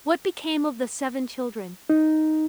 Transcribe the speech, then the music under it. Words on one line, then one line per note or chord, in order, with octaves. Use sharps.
What became of the seven children?
D#4